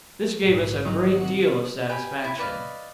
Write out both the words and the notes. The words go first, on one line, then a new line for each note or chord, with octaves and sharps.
This gave us a great deal of satisfaction.
A#1 G#2
D#3 F#3 D#4
C3 F#4 C#7
G4 B4 G5 G#5
E4
B4 D5 D#5 F5